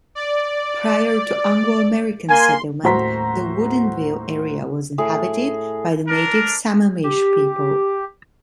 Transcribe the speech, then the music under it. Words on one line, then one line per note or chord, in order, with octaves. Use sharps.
Prior to Anglo-American settlement, the Woodinville area was inhabited by the native Sammamish people.
D5
A#3 G#5 C6
D#1 A2 F#4 C5 A#5 B6
A2 G#4
D4 A#4
G4